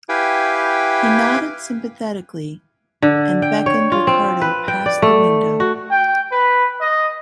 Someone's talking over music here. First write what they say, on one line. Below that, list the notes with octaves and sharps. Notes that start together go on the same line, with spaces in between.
He nodded sympathetically, and beckoned Ricardo past the window.
E4 G4 B4 F5 G5 G#5
D3
G5
C#5
F4
C4
B4
G5
D5
A3
F#4
G5
B4
D#5